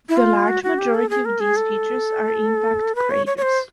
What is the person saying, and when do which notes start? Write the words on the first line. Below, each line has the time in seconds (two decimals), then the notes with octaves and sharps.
The large majority of these features are impact craters.
0.09 E4
0.17 F4
0.48 F#4
0.63 F#4
0.79 G4
0.95 A4
1.10 G#4
1.25 A#4
1.40 G#4
1.56 A4
2.95 B4
3.11 C#5
3.26 C#5
3.37 C#5
3.42 C5